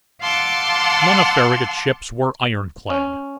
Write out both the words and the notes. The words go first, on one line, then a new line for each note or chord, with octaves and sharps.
None of Farragut's ships were ironclad.
F5 F#5 A5 C6 D6 E6
C#4